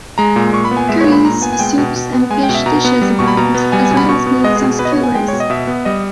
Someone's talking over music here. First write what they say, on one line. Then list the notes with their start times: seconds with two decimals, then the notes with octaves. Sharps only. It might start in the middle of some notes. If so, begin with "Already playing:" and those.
Curries, soups and fish dishes abound, as well as meats on skewers.
0.18 G#3 A#5
0.36 A#2
0.53 A#2 C#6
0.65 B5
0.71 B3
0.77 G#5
0.89 G#3 E5
1.01 C#5
1.07 A#2
1.12 B5
1.25 A#2 A#5
1.42 B3 G#5
1.53 G#5
1.59 G#3 G5
1.78 B2
1.96 B2
2.13 B3
2.30 G#3 G#5
2.43 G5
2.49 B2
2.55 E5
2.66 B2 A#5
2.85 B3
3.02 G3
3.19 B2 C#6
3.28 B5
3.37 B2 A#5
3.54 B3
3.72 G3 G#5
3.85 G#5
3.91 B2
3.97 B5
4.09 B2 C#6
4.26 B3
4.44 G#3 D#5
4.56 G#4
4.62 B2
4.67 G#4
4.79 B2 B4
4.85 D#5
4.92 C#5
4.97 B3
5.04 G#5
5.15 G#3 G5
5.28 B2 C#5
5.40 D#5
5.50 B2 E5
5.67 B3
5.85 G3 D#5